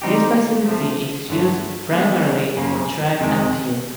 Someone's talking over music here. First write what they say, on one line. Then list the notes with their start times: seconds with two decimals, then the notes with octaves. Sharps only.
This facility is used primarily for track and field.
0.02 D#3 G3 C4 D#4 G4
0.66 C3 F3 A3
1.29 G2 D3 F#3 A3
1.93 D3 F3 G#3 B3
2.56 F#2 C#3 F3 A#3
3.20 F2 C3 D#3 G#3